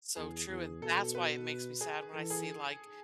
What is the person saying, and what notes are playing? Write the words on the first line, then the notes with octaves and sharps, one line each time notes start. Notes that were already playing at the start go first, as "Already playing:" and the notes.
So true and that's why it makes me sad when I see, like,
E2 G#4
E2
B2 A4
B4
G#4
E3 A4
G#4